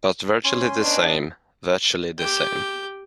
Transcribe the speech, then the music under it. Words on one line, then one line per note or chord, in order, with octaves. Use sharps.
But virtually the same, virtually the same.
C#4 G#5 C6
B3 D4 D#4
G4 G5